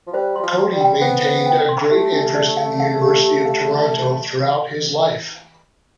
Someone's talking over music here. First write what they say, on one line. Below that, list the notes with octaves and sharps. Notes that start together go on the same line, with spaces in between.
Cody maintained a great interest in the University of Toronto throughout his life.
F3
G3 C5
G3 C6
F3
C6
G3
G5
B3 C5
C5
G5
C6
A3 G4
D4
D5
F5
F5
G4
G4
F5